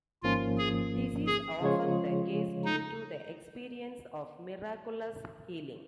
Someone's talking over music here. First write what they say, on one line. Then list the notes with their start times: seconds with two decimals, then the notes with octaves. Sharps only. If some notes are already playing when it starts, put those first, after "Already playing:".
This is often the case due to the experience of miraculous healing.
0.23 G#1 G#2 F3 A#3 C#4 F4
0.58 G#4
1.26 G#4
1.61 C#3 F3 G#3 F4 C#5
2.65 D#4